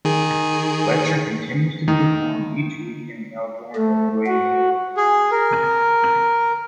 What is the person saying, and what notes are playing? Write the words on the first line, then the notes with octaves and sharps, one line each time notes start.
Fletcher continues to perform each week in Melbourne with Waiting Room.
D#3 G#4
D#3
A3
F#4
G#4
A#4